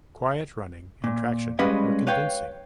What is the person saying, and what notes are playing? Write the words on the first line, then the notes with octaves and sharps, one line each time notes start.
Quiet running and traction were convincing.
A#2
G3 G#3 C#4 B4 D#5 F5
B4 C#5 F5 G5